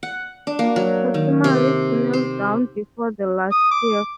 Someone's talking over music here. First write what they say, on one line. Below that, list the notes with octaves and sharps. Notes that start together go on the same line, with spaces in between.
It was customary to kneel down before the last sheaf.
F#5
D4
A#3
F#3
D#3
C3
C5
D#6
D6